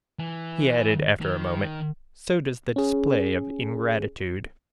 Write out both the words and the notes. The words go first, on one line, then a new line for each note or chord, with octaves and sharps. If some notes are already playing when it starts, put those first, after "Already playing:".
He added after a moment: "So does the display of ingratitude."
E3
D#3
C#4 G#4